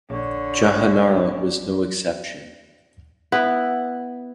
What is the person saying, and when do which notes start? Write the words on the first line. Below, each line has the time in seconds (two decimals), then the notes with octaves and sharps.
Jahanara was no exception.
0.10 A#1 D3 C#5
3.32 B3 E4